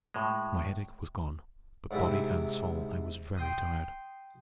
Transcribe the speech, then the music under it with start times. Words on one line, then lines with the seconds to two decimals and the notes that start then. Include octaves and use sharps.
My headache was gone, but, body and soul, I was very tired.
0.14 A2 G#3
1.91 G#2 C3 E4
3.37 G5 C6 D#6